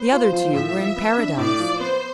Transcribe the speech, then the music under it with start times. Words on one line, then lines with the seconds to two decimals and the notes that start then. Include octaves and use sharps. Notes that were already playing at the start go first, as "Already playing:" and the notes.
The other two were in Paradise.
Already playing: B3 C5
0.11 F4
0.32 F3
0.53 A2 E5
0.75 F3
0.96 B3
1.17 D4
1.37 A2 D5
1.59 F3
1.79 B3 C5